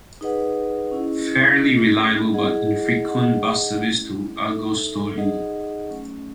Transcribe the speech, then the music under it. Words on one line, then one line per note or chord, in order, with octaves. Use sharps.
Fairly reliable but infrequent bus service to Argostoli.
D#4 G#4 B4 D#5 F#5
C#4 E4 G#4 D#5
A3 C#4 G#4 D#5
E4 G#4 D#5 F#5
D#4 G#4 D#5 F#5
A3 C#4 E4
D#4 A4 E5
D#4 G#4 D#5 F#5
F#3 A3 C#4